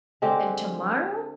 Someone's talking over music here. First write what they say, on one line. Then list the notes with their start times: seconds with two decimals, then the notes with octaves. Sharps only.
And tomorrow?
0.22 D3 G#3 C4 G4